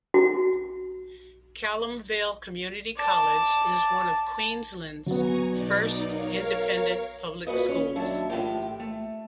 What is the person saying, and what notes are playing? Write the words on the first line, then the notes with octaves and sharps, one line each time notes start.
Calamvale Community College is one of Queensland's first Independent Public Schools.
F#4
D5 A5
F#3 B3 G#5 A#5 C#6
B2 D#4 D5
A#4 C#5 F5
A#2 F#4 B4 D#5
C#4
D#2 F#3 D4 E5 A5
A2 E3 F4 G4
A3